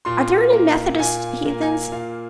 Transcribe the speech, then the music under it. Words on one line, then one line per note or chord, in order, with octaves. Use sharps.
Are there any Methodist heathen?
A#2 C6
A#3
A#2 G#5
A#3
G#5
A#2 F5